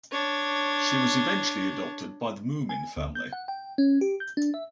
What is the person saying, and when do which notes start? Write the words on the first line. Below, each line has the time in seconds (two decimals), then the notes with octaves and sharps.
She was eventually adopted by the Moomin family.
0.12 D4 C#5
2.69 G#5
2.97 D2
3.15 G6
3.33 F#5
3.48 G5
3.78 C#4
4.01 G4
4.20 G6
4.37 D4
4.54 E5